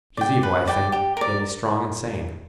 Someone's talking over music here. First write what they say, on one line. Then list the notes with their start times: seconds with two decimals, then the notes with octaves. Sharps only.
"He's evil, I think, yet he's strong and sane."
0.17 D5 G5
0.43 B4
0.67 D5 G5
0.92 G4
1.17 A#4 D5